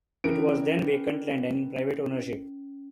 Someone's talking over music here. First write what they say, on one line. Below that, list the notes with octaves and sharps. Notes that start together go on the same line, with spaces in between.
It was then vacant and in private ownership.
E3 C#4 A#4 D7